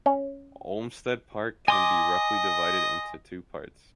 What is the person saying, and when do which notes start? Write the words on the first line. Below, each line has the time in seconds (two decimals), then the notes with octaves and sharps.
Olmsted Park can be roughly divided into two parts.
0.06 C#4
1.68 D#5 G#5 C6 D6